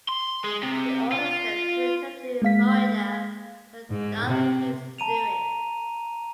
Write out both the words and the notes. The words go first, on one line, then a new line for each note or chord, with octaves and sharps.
He orders them to return to Florida but Daryl refuses to do it.
C6
G#3
C3
F4
G#3 A#3 F5 B6
G#2
C3
A5 A#5 D#7 F7